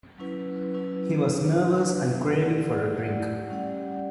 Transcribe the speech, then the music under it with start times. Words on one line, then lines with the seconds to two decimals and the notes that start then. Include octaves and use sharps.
He was nervous and craving for a drink.
0.18 F#3 C#4 E4 B4
0.74 F#3 C#4 E4 B4
1.28 D4 G4 B4
1.84 D4 G4 B4
2.39 A3 E4 G4 D5 F#5
2.95 A3 E4 G4 D5 F#5
3.49 G3 C#4 G4 D5 F#5